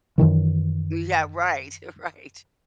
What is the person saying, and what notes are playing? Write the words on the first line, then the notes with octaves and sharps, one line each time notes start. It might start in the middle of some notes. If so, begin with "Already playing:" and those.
Yeah, right, right.
F#2 C3 D#3 E3